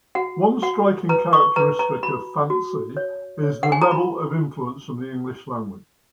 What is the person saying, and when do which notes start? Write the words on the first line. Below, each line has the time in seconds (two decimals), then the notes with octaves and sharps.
One striking characteristic of Fantse is the level of influence from the English language.
0.15 F#4 F#5
0.62 F#4 F#5
1.09 B4 A#5
1.33 C#6
1.56 B4 A#5
1.79 A#5
2.03 F#4 B5
2.50 F#4
2.97 C#5
3.43 C#5
3.63 F#5
3.72 G#5
3.82 A#5
3.91 F#4 B5